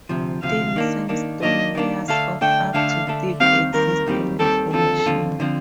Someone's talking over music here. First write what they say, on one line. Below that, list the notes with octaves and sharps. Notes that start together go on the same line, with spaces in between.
Thin sandstone layers of up to thick exist in the formation.
D2 C3 F3
D2 C3 F3 F5
D#3 A#3 D4
D#3 A#3 D4
D#3 A#3 D4 D#5
D#3 A#3 D4
D3 A3 D4 A4 F5
D3 A3 D4 A4 G5
D3 A3 D4 A4 F5
D3 A3 D4 A4
D#2 D#3 G3 C4 G4 F5
D#2 D#3 G3 C4 G4 A#4
D#2 D#3 G3 C4 G4
D#2 D#3 G3 C4 G4 A4
D#2 D3 F3 C4 F4 A4
D#2 D3 F3 C4 F4
D3 F3 C4 F4